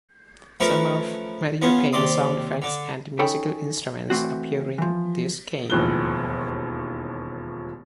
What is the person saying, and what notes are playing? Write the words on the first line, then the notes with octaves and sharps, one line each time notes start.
Some of "Mario Paint"s sound effects and musical instruments appear in this game.
F3 A3 C#4 A#4 B4 C#5
B3 C#4 F4 G#4
D#2 C3 D5 C6 D#6
D3 D4
C#4 D#4 A4 C#5 G5 B5
E3 A3 C4 F#4
E3 F3
E1 A1 D#2 F3 F#6 G7